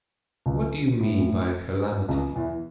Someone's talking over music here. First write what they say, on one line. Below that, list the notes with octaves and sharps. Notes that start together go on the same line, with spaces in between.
What do you mean by a calamity?
C#2 C#3
A2
C#2 C#3
E2 E3